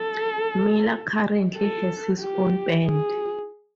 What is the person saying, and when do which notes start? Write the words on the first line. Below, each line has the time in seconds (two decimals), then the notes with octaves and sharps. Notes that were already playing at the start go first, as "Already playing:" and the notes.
Miller currently has his own band.
Already playing: A4
1.56 A4
2.20 G4
2.86 G#4